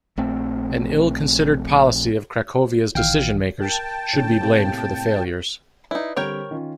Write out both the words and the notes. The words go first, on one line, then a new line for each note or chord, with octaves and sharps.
An ill-considered policy of Cracovia's decision-makers should be blamed for the failures.
A#1 A3 C4
A#1 D#3 E3 F5 G5
A#4 G5 A5
A2 D3 C#4
A2 C3 A#3
F4 F#4
D#4 E4 B4 D5
D3 G3 C4 A#4 C#5 G5
D#3 C#4 F4